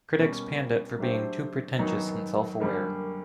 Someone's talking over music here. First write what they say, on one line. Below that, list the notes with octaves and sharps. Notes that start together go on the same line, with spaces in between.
Critics panned it for being too pretentious and self-aware.
B2 G3 A#3 C#4
F#3 A3 D4 G4 C5
F#2 D#3 F#3 B3 D#4
F#2 D3 G3 A#3